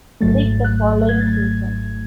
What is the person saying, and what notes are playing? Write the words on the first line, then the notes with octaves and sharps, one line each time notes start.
Lig the following season.
G#1 G#2 F#3 A3 A6
F#6
G#6
A6
G#6